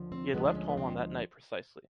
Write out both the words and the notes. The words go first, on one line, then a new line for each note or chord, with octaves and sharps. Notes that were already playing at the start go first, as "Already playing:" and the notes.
He had left home on that night precisely.
Already playing: D#2 D3 F3
C4
D2 D3 F3 G#3 B3
D4
C#4
B3
C4